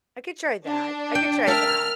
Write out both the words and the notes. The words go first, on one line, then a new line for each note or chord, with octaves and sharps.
I could try that, I could try that.
D4
G5
A#4 E5 A5 F6